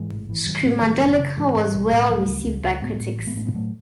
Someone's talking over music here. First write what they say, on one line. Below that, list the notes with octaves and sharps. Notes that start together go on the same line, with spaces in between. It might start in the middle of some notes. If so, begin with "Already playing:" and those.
"Screamadelica" was well received by critics.
Already playing: G#2 E3 G#3
A1
G#1 E3
G#2 D#3 F#3
A2 F#3
G#3
A1 D#3 F#3
F#1
C#3
G#2 E3 G#3
G#2
B1
A2
C#2 F#3 A3
C#2
C#2
C#2
A2 G#3 B3
A2
A1
G#3 B3
A2 A3 C#4
G#3 B3
A2 F#3 A3